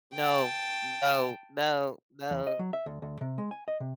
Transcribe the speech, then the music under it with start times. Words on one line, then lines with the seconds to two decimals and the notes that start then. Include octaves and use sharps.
No, no, no, no,
0.13 G5 A5
2.31 E2
2.47 D#5
2.59 F#3
2.73 E5
2.86 D2
3.02 D2
3.21 C3
3.38 G#3
3.51 G#5
3.68 D#5
3.80 C3